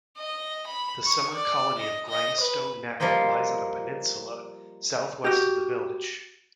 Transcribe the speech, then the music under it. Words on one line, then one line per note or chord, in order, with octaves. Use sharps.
The summer colony of Grindstone Neck lies on a peninsula southwest of the village.
D#5
B5
C#6
D5
D#5
D#5
B4
F3 G3 A#3 C5 D#5
F#4 G4